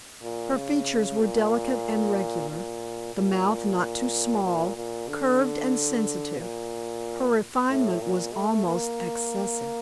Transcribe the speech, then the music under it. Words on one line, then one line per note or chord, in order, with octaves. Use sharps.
Her features were delicate and regular, the mouth not too small, curved and sensitive; her refinement was almost excessive.
A#2
C#3
A#2
A#2
A#2
A#2
A#2
D3
A#2
A2
A#2
A3
A#3